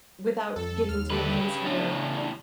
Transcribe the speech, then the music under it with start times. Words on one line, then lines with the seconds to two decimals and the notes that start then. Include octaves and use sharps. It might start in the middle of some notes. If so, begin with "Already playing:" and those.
without getting to the place where
0.56 F2 A4
0.89 D#2 F6
1.10 D3 G3 A3 G4 B4
1.39 C#3
1.64 E2 A2 D4